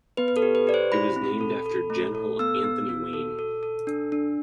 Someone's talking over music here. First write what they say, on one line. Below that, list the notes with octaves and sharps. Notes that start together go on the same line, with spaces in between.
It was named after General Anthony Wayne.
B3 B4
B4
A4
G4
B4
G4 D5
C5
E4 B5
C4
A4
A4
A3
A4
B3 E6
B3
F#4
A4
A4
A4
D4
D4